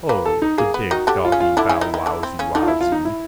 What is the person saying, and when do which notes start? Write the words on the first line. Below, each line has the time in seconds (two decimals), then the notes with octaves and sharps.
O, the big doggybowwowsywowsy!
0.09 A#3 B4
0.26 A4
0.42 D#4
0.58 A#3 G#4
0.74 B3
0.91 D#3 D#4 F#4
1.07 D3 D4 G4
1.25 F4
1.32 C#3 C#4
1.40 F4
1.57 D3 D4 E4
1.69 C#3 C#4
1.81 D#3 D#4
1.94 D#3 D#4
2.06 D3 D4
2.23 C4
2.39 C#3 C#4
2.55 D3 D4 D#4
2.62 F4
2.68 E4
2.81 F4
2.92 D#4
3.05 E4